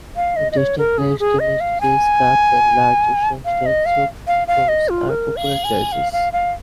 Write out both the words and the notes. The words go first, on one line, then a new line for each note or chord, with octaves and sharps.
Interesting plates, demitasse cups, and large Asian-style soup spoons are popular choices.
F5
D#5
D#5
C#5
A#4
G#4
G#4
D#5
F5
G#5
F5
D#5
F5
F5
F5
D#5
F4
A#4
F5
G#5
F5
F5
F5